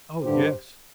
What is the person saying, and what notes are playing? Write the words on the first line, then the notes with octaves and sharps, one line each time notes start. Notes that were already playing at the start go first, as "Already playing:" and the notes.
"Oh yes!"
G2 D3 G3 D4 G4 C5